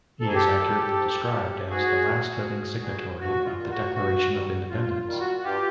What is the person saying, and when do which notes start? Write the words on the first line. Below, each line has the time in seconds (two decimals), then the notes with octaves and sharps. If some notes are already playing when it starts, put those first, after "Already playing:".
He is accurately described as the last living signatory of the Declaration of Independence.
0.21 G#2 A4
0.28 G#4
0.34 G4 A4
0.58 D#3 G3
0.95 G#2
1.33 D#3 G3
1.70 G#2 F#4 G#4
2.08 D#3 G3
2.45 G2
2.83 D#3 G3
3.20 G2 F#4
3.45 F4
3.57 D#3 G3
3.70 F#4
3.94 G2 F#4
4.32 D#3 G3
4.69 G2 F4
4.94 F4
5.07 D#3 G3 F4
5.20 F#4
5.37 F#4
5.44 G2 F4 G4